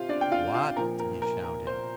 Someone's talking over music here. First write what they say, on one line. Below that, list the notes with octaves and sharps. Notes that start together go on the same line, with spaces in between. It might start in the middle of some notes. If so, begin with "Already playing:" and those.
"WHAT!" he shouted.
Already playing: C3 F4 G4 C5 F5
D4 D5
G5
F4 F5
F4 F5
A#2 F3 A#4
A#4
A#4
A#4
C5